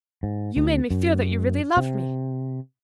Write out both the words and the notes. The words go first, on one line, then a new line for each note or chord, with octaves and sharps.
You made me feel that you really loved me.
G#2
D2
F#2
C3